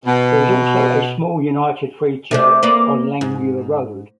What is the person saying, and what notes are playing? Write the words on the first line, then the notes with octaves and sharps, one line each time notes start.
There is also a small United Free Church on Langmuir Road.
B2
C3 A3 D4
A#3 B4 D5
G#2